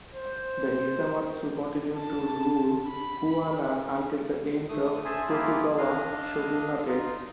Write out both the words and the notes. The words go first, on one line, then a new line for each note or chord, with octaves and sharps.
The Hisamatsu continued to rule Kuwana until the end of the Tokugawa shogunate.
C5
A5
B5
A3 D#6
G#4 C5 E5 G#5 A5
A#3 E4 F4 G4 G#4
D4 D#5 F5
D#4 F4